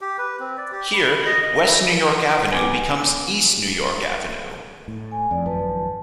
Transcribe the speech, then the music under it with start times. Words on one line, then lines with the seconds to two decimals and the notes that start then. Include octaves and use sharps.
Here, West New York Avenue becomes East New York Avenue.
0.01 G4
0.18 B4
0.40 C4
0.57 D5
0.72 G4
0.94 B5
1.07 B5
1.25 D#5
1.41 D#5
1.56 D#5
1.69 E4
2.52 B3 G#5 D6
4.88 A2
5.12 G#5
5.31 F2 D5
5.46 G#1 F#2 F3 B4 A5